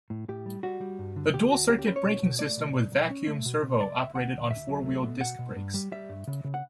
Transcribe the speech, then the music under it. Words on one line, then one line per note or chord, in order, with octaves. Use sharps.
The dual-circuit braking system with vacuum servo operated on four wheel disc brakes.
A2
A2 G4
G3
G3 F#4
G3
G2
D3
D2 G4
D2 F#4
C#4 G4
G4
C#4 B4
C#5
B2
B2
A3 D5
B2
B2
B1
C#4
A3
B2
B2
C#2 D5
C#2 E5
D2 F#5
D2
D2 E5
F#3
A3
B2
B2 F#5
B2
G2
G3
G3 E5
G2
C#3
C#3
F#5